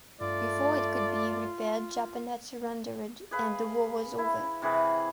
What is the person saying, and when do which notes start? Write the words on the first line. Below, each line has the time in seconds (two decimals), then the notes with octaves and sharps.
Before it could be repaired Japan had surrendered and the war was over.
0.21 G2 A3 F4 D5
3.31 G#4 B4 F5
4.18 E4
4.62 C3 E3 G#4 B4